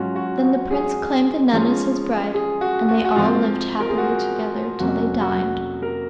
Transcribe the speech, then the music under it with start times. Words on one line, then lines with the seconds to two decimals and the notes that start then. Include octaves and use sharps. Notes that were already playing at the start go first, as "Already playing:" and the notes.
Then the prince claimed the nun as his bride, and they all lived happily together till they died.
Already playing: G#2 F#3 C#4 F4 F#4
0.16 F#4
0.43 F#4
0.71 G#4
1.52 G#2 F3 G#3 C#4 F4
2.34 G#4
2.61 F#4
2.89 F#4
3.05 F#4
3.16 G#2 F3 C4 F4
3.80 A#4
3.89 G#4
3.98 F#4
4.80 F2 C3 F#3 A#3 C#4 F#4
5.21 F#4
5.82 A#4